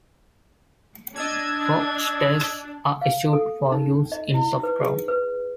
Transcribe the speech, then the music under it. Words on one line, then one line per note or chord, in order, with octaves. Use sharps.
Four stakes are issued for use in soft ground.
D4 D#5 E6 G#6
F5
A4
D#4
D#5
E4
B4
G#4
B4